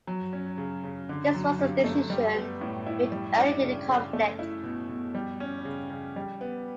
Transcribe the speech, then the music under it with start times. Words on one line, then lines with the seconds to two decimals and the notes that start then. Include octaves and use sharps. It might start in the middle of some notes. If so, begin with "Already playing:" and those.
This was a decision made early in the conflict.
0.07 F#3
0.33 C#4
0.58 C#3
0.84 C#3
1.09 D3
1.34 F#3
1.59 G2
1.84 A3
2.10 G3
2.35 B3
2.61 A2
2.86 E4
3.12 G3
3.37 D4
3.62 C#3
3.88 C#3
4.13 A3
4.39 E4
4.63 B2
4.89 B2
5.15 G3
5.40 C#4
5.65 C#3
5.90 C#3
6.16 G3
6.41 B3